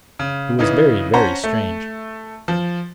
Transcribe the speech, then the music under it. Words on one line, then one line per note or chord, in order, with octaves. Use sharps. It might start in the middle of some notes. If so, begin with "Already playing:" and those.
It was very, very strange.
C#3
C#3 E3 D#4
C#4 C5 F#5 A5 A#5
A3
F3